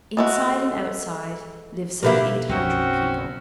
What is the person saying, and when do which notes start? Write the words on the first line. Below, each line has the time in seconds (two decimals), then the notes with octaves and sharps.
Inside and outside lived some eight hundred people.
0.17 G#3 A3 F#4
2.03 B2 D3 A#3 G4 A#4 B4 E5
2.49 B1 F#2 C4 C#4 F#4